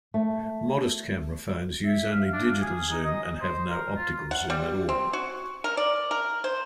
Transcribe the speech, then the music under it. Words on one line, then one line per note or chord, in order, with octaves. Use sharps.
Modest camera phones use only digital zoom and have no optical zoom at all.
A3
E5
F5
D4
F5
G#4
D#4
D#5
D#5
C5
A#4
F4
F#5
G3
C4
F#4
A#4
D5
A#4
C5